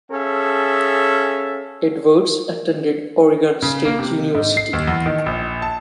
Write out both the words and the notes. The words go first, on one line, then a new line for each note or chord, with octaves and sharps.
Edwards attended Oregon State University.
C#4 G#4 A4 E5 F5
C#3
A#3
C3
G#2
C7
D#2
E2
D#3
A#1
A5